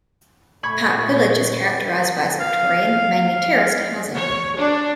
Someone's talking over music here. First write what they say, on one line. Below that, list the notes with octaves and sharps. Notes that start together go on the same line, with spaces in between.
Park Village is characterised by its Victorian, mainly terraced, housing.
A#2 A3 B5 C#6 G#6
F5
C#5
D4